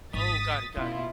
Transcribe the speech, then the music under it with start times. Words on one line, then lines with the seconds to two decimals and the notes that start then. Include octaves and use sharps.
Oh, got it, got it.
0.14 G#1 D#6 A6 B6
0.77 B2 C#4 E4 F4